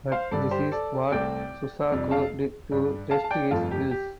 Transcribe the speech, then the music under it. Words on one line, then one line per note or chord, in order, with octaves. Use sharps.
But this is what Shusaku did to test his skills.
C5 F5
G2 D3 G3 D4 A4 D5
G4 C5
A4 D5
C2 C3 A3 C4 D5 G5
F2 C3 G3 D4
F5 A5
G2 G3 D4
F5 A5
A5
D5 G5
G1 F2 F3 A3 F4 A4
G4
G4